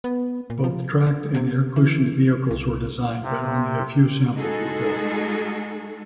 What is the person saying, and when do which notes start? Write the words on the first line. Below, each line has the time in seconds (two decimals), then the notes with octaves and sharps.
Both tracked and air-cushioned vehicles were designed, but only a few samples were built.
0.04 B3
0.50 A#2
0.64 F3
1.07 D3
1.35 C3
1.76 E3
2.51 C2
3.23 C3
4.34 G#3 D#4 F#4 G#4 A4